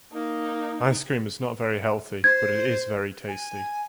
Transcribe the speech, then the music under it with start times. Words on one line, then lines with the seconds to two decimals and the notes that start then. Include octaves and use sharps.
Ice cream is not very healthy but it is very tasty.
0.13 A#3 D#4
2.24 C5 G#6
3.28 G#5